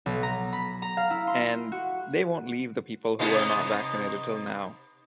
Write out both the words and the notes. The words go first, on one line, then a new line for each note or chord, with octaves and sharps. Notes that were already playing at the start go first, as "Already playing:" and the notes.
And they won't leave the people who are not vaccinated till now.
B1
A#5
B5
A#5
F5
E4
C6
F#4
C3 B3 D#4